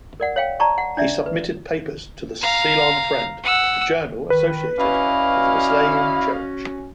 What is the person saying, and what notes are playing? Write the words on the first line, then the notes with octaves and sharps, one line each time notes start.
He submitted papers to the "Ceylon Friend", a journal associated with the Wesleyian Church.
A#4 D5 F#5
C#5 F5 G5
D5 A5 A#5 C#6
F#5
D4 D5 E5
B4
F5 A#5
F#5 E6
D#3 B4
C#4 E4 F#4 D5 D#5 F5